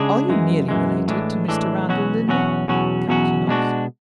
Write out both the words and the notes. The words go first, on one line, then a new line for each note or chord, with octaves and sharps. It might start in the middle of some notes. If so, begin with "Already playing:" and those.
"Are you nearly related to Mr. Randal Linley?" the Captain asked.
Already playing: C#3 G#3 D4 G#4
F#2 E3 G#3
F#2 E3 G#3
A2 E3 G#3 D4
A2 E3 G#3 D4
E2 B2 F#3 C#4 F#4
E2 B2 F#3 C#4 F#4
E2 B2 F#3 C#4 F#4
E2 B2 F#3 C#4 F#4
B2 G#3 D4 F#4